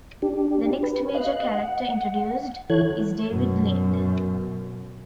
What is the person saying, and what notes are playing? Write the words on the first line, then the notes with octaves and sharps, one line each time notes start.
The next major character introduced is David Lind.
D4 G4
B4
D#5 F5 F#6
F#5
E3 E4 A4 C#5 F#6 G#6
F#2 B2